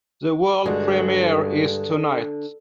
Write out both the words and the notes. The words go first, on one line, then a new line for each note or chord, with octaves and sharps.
The world premiere is tonight!
G2 D3 G#3 F#4